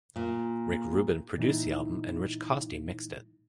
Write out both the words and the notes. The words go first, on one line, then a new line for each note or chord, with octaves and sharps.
Rick Rubin produced the album and Rich Costey mixed it.
A#2
A#2 E3 D#4 E4